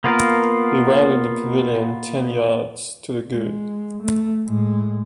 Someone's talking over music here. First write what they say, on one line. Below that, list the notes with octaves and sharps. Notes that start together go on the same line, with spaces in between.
He rounded the pavilion ten yards to the good.
A#3 B3 F4 A#4 F5
G#3
A3
A2 G#3